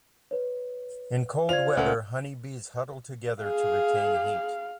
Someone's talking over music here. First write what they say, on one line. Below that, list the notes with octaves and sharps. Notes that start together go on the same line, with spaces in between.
In cold weather, honey bees huddle together to retain heat.
B4 C#5
F4 C5 D5 G#6 F7
C#2 A3 F#5
G#4 F5